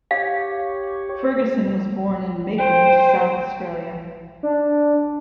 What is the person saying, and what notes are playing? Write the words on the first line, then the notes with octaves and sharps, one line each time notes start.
Ferguson was born in Maitland, South Australia.
G4 C#5 F5
C5 G5
D4